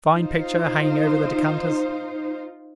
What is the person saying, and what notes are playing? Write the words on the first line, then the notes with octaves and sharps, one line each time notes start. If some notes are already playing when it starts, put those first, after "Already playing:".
Fine picture hanging over the decanters.
D#4 F4 C5